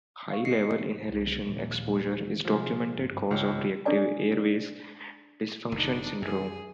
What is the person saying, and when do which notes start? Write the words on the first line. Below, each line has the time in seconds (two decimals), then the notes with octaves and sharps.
High-level inhalational exposure is a documented cause of reactive airways dysfunction syndrome.
0.30 F5 C#6
0.45 D#5 C7 C#7
1.06 C2
1.42 A#1 D#2 A#3
2.45 C3 F3 G#3
2.94 G1 G#2
3.31 C#2
3.85 D4 G#4 A4 D5 G#5
5.72 F#1 D4 D#4
6.22 F#2 G#4